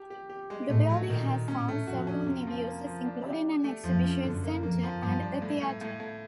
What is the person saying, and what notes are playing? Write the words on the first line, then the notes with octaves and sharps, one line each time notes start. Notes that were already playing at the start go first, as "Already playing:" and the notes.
The building has found several new uses, including an exhibition centre and a theater.
Already playing: G4
G4
G4
G#3
A2 A3
F#3
A#2 D#3
D#3
A2 C#4
A3
F2 F#4
C#4
C3
F3
A#3
F3
D4
G4
D4
A3
F2 F3
C#4
F#2 D3
A#3
F2 A#3
F3
G2 F3
D4
A2
A2
A2
A2